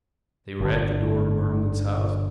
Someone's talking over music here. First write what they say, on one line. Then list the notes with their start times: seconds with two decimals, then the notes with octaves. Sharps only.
They were at the door of Merwin's house.
0.60 G1 D3